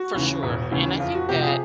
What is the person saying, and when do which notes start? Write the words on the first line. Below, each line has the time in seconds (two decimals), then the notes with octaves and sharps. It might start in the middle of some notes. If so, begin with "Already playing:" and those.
For sure. And I think that
Already playing: F#4
0.14 D#2 C#3 E3
0.43 E1
0.71 D#2 C#3 E3
1.00 F2 F4
1.15 F#4
1.29 C3 F3 G4
1.43 G#4